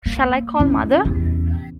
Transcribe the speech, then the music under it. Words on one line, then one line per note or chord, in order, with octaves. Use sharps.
Shall I call mother?
A#3
C#4 E4
E2 C3